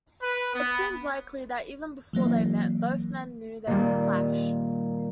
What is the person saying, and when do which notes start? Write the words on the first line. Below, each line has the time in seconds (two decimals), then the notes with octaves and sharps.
It seems likely that even before they met both men knew they would clash.
0.21 B4
0.54 B3
2.13 E3 F#3 A#3 C4
3.67 A#2 D#3 G3